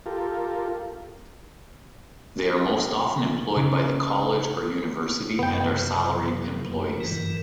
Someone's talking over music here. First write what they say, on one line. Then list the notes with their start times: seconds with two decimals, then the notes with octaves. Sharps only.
They are most often employed by the college or university and are salaried employees.
0.06 F4 G4 A4 A#4
3.56 C#3
5.39 F#1 F#2 C3 B3 G5
7.00 G2 E3 A#4